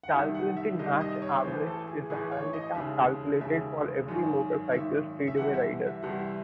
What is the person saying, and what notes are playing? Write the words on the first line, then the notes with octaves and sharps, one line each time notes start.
Calculated Match Average is a handicap calculated for every motorcycle speedway rider.
F#5
C2 C3 D#3 E5
F#5
E5
C2 C3 D#3 D#5
D#5
C#5
A1 A2 E3 C5
A4
G#4
A1 A2 E3 G#4
C#5
D#5
E1 D#2 C#3 E5
E1 D#2 C#3 E5
G#1 F#2 D#3
G#1 F#2 D#3 E5
E5
C2 C3 E3 F#5
E5
F#5
E5
C2 C3 E3 F#5
E5